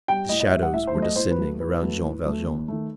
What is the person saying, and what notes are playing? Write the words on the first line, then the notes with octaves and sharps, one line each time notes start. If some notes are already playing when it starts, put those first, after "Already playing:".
The shadows were descending around Jean Valjean.
G3 G5
A2 D#5
D#5
G3 E5
F#5
A2 E5
C5
F#3 A3
D#5
A2 C5
B4
F#3 A3
A2 B4
F#3 A3
A2
F#3 A3
D#2
D#3 A3